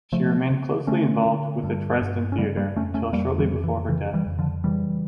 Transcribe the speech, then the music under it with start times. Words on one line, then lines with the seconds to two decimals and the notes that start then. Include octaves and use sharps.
She remained closely involved with the Dresden theatre till shortly before her death.
0.12 C#3 F3 A3
0.50 C#3
0.87 D3 A3 C#4
1.26 D3
1.64 G2
2.01 G2
2.32 C#4
2.38 C#3 G3 A#3
2.57 G3 A#3
2.76 F2 A3 C#4
2.94 A3 C#4
3.13 F2 G3 A#3
3.39 E3 G3
3.51 C#3
3.64 E3
3.89 C#3 E3
4.14 E3 G3
4.26 F2
4.39 D3 F3
4.64 C#3 E3 G3